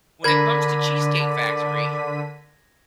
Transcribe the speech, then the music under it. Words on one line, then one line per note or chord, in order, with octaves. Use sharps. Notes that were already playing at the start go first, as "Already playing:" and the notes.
when it comes to Cheesecake Factory,
D3 A#4 D5 B5 G#6 A#6 B6 D#7